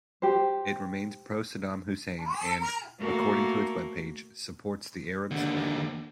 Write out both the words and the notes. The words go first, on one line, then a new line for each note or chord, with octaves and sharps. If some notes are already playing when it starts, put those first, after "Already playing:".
It remains pro-Saddam Hussein and, according to its webpage, supports the Arab Spring.
G4 C5
A3 A#3 F#4 A4 A#4
D#2 D3